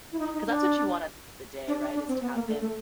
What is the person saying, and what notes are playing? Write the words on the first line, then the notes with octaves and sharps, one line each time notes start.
'Cause that's what you want at the day, right? Is to have him
E4
D#4
D#4
D4
D4
D4
D4
C4
B3
A#3
A3
A3